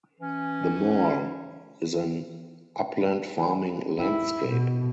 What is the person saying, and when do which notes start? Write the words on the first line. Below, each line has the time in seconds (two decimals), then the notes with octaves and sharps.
The moor is an upland farming landscape.
0.21 E3 C#4
4.00 E4
4.48 B2